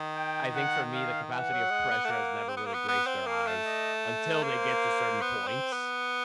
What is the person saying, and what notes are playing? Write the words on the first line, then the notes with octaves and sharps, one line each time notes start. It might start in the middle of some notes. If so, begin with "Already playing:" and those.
I think for me, the capacity of pressure has never really graced their eyes, until they get to certain points,
Already playing: D#3
G5
F#5
F5
E3 F#5
F#3
G#3
B3
A3
A#3
C4
B3
A#3
B3
B3 F#5
C4
A#3 F5
A3
D#5
A#3 C5
B3
C4
B3